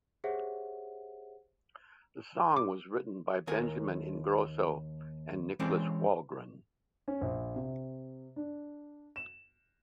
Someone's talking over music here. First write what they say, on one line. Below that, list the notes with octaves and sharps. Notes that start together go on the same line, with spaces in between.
The song was written by Benjamin Ingrosso and Niklas Wahlgren.
G4 G#4 C5 C#5 E5 F#5
D6
D#2 A#4 G#5
E3 G#3 C4 C#4 A4 D5
C#4
A#1
C3
D4
E7